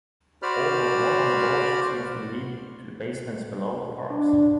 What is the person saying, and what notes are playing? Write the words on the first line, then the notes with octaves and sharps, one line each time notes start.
All but one of the doors seem to lead to basements below the parks.
F#4 C5 D5 B5 F6
D4